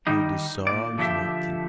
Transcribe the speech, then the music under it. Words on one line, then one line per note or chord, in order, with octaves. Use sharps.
He deserves nothing.
D#3 G3 D#4
A#2 D5
D3 F3 F#3 A3 G4 E5